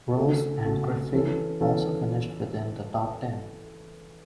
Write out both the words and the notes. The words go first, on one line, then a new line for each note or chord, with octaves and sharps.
Rose and Griffey also finished within the top ten.
C#3 A3 F#4 A4
C#3 A3 F#4 A4
E3 C#4 A4
E3 C#4 A4